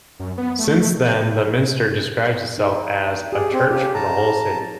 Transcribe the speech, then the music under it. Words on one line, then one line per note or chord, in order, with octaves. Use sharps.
Since then the Minster describes itself as "A church for the whole City".
F#2
B3
A3
D#4
G4 G#4 D5
C4
C#4 F4 G4 A4
A5 A#5